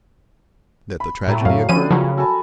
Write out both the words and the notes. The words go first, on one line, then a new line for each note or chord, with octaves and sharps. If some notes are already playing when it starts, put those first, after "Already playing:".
"That the tragedy occurred?"
B5
A2 F#3 G3 A3
F#2 F5
F3 B3 C#4 D5 D#7
C#3 F3 F#3 A#4 C#5
F#4 A4 G#5 A5 B5